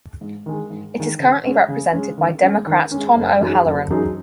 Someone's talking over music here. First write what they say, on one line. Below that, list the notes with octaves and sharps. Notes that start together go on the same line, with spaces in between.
It is currently represented by Democrat Tom O'Halleran.
G#2
D#3 G#3
G#2
D#3 G#3
C#3
G#3 C#4
C#3
G#3 C#4
D#3
G#3 C#4
D#3
G#3 C#4
F#1
F#2 F#3 D#4 G#4
F#1
F#2 F#3 D#4 G#4